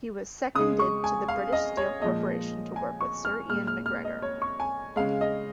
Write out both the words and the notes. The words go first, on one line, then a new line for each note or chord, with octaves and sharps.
He was seconded to the British Steel Corporation to work with Sir Ian MacGregor.
C#3 G#3 D#6
C#6
G#5
F5
D#5
C#5
A#2 F3 G#3 D#5
G#5
C#6
F6
A#2 G#3 F6
F6
F6
D#5
C#5
C#6
G#5
C#3 G#3 F5
D#5